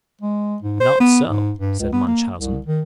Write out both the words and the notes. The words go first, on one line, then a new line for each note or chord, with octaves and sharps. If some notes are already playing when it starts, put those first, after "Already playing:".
"Not so," said Munchausen.
G#3
G#2
C5
B3
G#2
G2
C#2
B3
A#3
C2
D#3